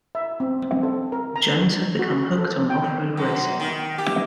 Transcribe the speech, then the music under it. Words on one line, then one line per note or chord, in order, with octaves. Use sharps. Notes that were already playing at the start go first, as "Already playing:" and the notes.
Jones had become hooked on off-road racing.
E5
C4
C4
A4
A#4
A#5
F#4
A4
G5
F#2
D#3
G4